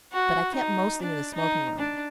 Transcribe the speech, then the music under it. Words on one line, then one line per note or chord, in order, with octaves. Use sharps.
But I kept mostly in the smoking-room.
F#4
D#4
D4
D#4
D4